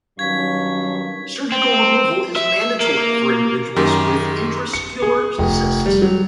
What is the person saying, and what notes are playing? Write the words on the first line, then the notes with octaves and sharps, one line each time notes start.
Surgical removal is mandatory for individuals with intraoscular cysts.
G2 D#3 F#3 C#4 F5 C#6 G#6 B6
C4
E5
A#3
F#2 D#3 G4
C#7
G#4
F1
G3
F#3